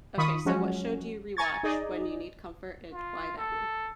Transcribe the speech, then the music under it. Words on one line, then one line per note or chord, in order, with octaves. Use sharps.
Okay, so, what show do you rewatch when you need comfort, and why that one?
D#3 F4 B5 C#6 D#6
F3 F#3 G#3 C#4 F#4
G#5 A#5 C#6 G#6 A6
D#4 G#4 D5 D#5
F4
A4